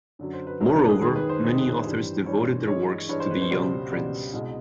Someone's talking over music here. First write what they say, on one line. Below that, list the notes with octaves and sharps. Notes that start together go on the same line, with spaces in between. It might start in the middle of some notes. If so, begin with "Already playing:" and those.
Moreover, many authors devoted their works to the young prince.
F#2 D3 F#3
C5
B4
F#2 D3 F#3 A#4
B4
G#4
D#2 D#3 G#3 G#4
B4
C5
D#2 D#3 G#3
G2 E3 G3
G2 E3 G3 C#5
G2 E3 G#3 C#5
G2 E3 G#3 C#5
C5
B4
C5
C#2 B2 G3
C#2 B2 G3
C2 B2 G#3